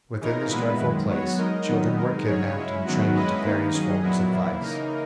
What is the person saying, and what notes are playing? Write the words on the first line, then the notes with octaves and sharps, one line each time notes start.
Within this dreadful place children were kidnapped and trained to various forms of vice.
C#3 E3 G#3 D#4 A#4
A#2 G#3 B3 E4 B4
F#2 D#3 G#3
F#3 B3 F#4 C#5
G#3 D#4 A#4 D#5
D#3 F#3 B3 D#4
G#3 D#4 A#4
C#3 F#3 C#4 G#4 C#5
G#3 C#4 E4
F#2 D#3 F#3 B3 F#4
G#3 C#4 E4 B4 D#5
D#3 A#3 D#4
F#3 C#4 G#4 D#5
A#2 F#3 B3 E4
E3 A#3 E4
C#3 E3 A#3 D#4 A#4